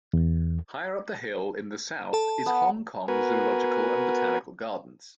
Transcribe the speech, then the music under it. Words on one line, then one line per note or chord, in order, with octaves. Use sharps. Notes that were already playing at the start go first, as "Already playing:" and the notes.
Higher up the hill in the south is Hong Kong Zoological and Botanical Gardens.
E2
A4 A5
B3
B3 F#4 A#4 B4 G#5